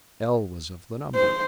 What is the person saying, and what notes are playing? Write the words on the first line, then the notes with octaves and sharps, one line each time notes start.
L--was of the number.
C5